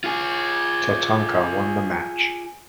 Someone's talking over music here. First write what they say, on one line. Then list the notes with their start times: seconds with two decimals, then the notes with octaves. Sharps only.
Tatanka won the match.
0.04 F4 G#4